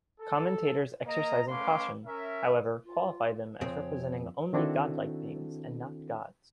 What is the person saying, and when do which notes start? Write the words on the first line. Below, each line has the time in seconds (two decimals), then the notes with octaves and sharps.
Commentators exercising caution, however, qualify them as representing only "godlike" beings, and not gods.
0.21 A4
1.06 A#3 D#5 A#5
1.48 A3 C#4 B4 F5 C6 D6
2.05 C#4 A#4 E5
2.84 F4
3.61 F2 C#3 C4 C#5
4.53 D#3 C4 D4 E4 F#4 A4